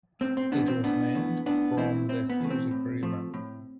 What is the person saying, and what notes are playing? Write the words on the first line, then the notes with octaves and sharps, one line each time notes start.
It was named from the Hoosic River.
A2 C4
C4
E3 A3 B3 D4
C4
A2 B3 D4
E3 A3
A2 B3 D4
E3 A3 C4 E4
A2 C4
B3
E3 A3
C4
A2
F3 A3
A2